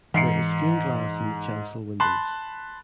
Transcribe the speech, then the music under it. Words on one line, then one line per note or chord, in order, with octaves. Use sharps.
There is stained glass in the chancel windows.
G#2 E3 C7 C#7
A5 B5 C6 F#6